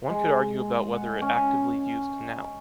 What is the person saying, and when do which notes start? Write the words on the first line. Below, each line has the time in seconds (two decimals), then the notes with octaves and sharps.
One could argue about whether it actively used now.
0.10 G#3
0.93 F#5
1.22 C#4